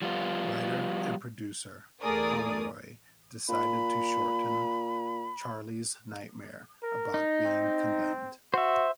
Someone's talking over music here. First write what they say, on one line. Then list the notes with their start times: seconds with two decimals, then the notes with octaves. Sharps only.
Writer and producer Pomeroy decided to shorten Charlie's nightmare about being condemned.
0.02 F3 G3 B3 F4
2.01 E2 A3 G#4 A#4 D5 D#6
3.49 A#2 B5
6.83 A#4
7.14 D#4
7.45 C4
8.54 F#4 C5 E5